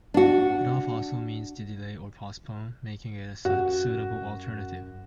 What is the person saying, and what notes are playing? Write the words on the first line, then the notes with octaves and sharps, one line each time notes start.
"Put off" also means to delay or postpone, making it a suitable alternative.
D4 F#4
F#2 F#4